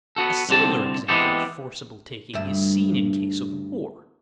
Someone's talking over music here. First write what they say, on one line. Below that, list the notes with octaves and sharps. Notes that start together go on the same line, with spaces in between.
A similar example of forcible taking is seen in case of war.
B3 F#4 A4
C2 D3 C4 A5
E3 G#3 B3 C4 G4 A4
D2 G2 E5